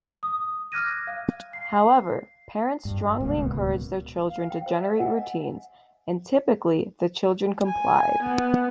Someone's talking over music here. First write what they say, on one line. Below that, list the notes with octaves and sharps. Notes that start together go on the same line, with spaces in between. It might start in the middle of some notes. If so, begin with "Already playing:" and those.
However, parents strongly encouraged their children to generate routines and, typically, the children complied.
D#6
D6 F6 F#6 G#6 A#6 D#7
F5
C7
G2
D1 C#2 B2 A#3
F5
G5
C5 E5
D#5 F#5 G#5
G#5
B3